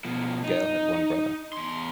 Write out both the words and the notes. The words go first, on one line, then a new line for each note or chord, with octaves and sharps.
Gale had one brother.
B2 F3
D#4
E2 C6